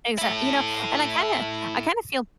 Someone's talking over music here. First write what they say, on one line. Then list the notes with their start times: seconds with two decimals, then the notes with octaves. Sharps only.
Exact you know, and I kinda I kinda feel,
0.18 E4 A4